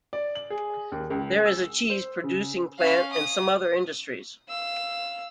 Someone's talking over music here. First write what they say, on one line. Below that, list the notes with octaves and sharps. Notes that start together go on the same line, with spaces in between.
There is a cheese producing plant and some other industries.
D5
F#7
G#4
D#2
C#2
G#3
E6
C5
C#3
C#4 F5
D#6
F5 E6